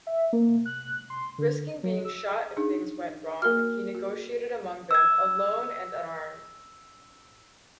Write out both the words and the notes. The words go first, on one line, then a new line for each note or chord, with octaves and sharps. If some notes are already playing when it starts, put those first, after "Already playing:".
Risking being shot if things went wrong, he negotiated among them, alone and unarmed.
E5
A#3
F#6
C6
D3
F#3
E6
D4 D#4 G#4
A#3 F#4 A#4 F6
F#4
E6 G#6